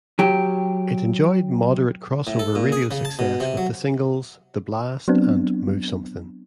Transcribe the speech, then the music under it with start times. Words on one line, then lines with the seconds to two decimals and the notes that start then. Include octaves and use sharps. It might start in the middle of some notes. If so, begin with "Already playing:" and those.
It enjoyed moderate crossover radio success with the singles "The Blast" and "Move Somethin'".
0.19 F#3 G4
2.27 A2
2.39 A4
2.55 A#2
2.72 G#4
2.91 C#3
3.05 A5
3.19 B2
3.40 C3
3.57 F#3
5.08 F#3 B3 C4 D4